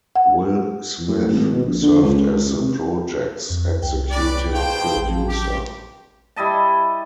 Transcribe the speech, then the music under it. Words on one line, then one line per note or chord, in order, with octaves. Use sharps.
Will Smith served as the project's executive producer.
F#5
A2
G#1
B2
A#1
D3
C#2
C#2
C3
F2
C2 G5
C#4 B4 D5
B2 G#4 C5 F5 G5 A5
A1
G4
G3 E4 D#5 A5